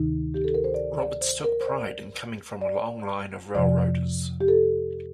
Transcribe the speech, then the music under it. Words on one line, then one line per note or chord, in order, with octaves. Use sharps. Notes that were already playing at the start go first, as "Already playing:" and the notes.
Roberts took pride in coming from a long line of railroaders.
Already playing: D2 C3 D#3 D#4
G4
A4
A#4
C5
D5
D5
C5
A#4
C5
D5
D5
F2 C3 F3 D5
G4
A4